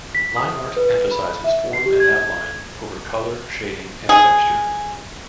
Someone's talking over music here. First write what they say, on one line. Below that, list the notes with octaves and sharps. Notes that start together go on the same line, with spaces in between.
Line art emphasizes form and outline, over color, shading, and texture.
B6
D#6
B4
B5
E5
C7
G4
G#6
G#4